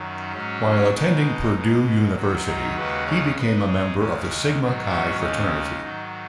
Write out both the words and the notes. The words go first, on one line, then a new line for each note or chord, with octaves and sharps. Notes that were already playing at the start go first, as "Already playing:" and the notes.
While attending Purdue University, he became a member of the Sigma Chi fraternity.
Already playing: F#2 D#3 F#3
G#2 F#3 C#4
B2 G#3 D#4
B2 G#3
F#2 D#3 F#3
D#4 G#4
D#2 C#3 G#3 F#4 B4
G#4 C#5
G#2 G#3 B4 D#5
G#4 C#5
D#2 C#3 G#3
G#2 D#3 F#3
C#4 F#4
D#2 C#3 G#3 D#4
G#2 D#3 F#3